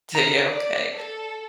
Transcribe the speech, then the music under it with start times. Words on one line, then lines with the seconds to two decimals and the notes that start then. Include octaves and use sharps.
Tuh yeah, okay.
0.15 A#5
0.48 D5
0.95 A4